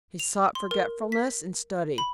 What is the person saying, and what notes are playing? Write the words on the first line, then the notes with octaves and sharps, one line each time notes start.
He sought forgetfulness in study.
F7
C6
A#4
B6
B5